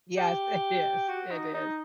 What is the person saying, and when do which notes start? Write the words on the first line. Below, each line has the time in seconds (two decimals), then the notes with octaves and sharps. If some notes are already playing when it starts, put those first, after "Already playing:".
Yes, it is. It is.
0.18 G4
1.09 F#4
1.31 D#4
1.54 D#4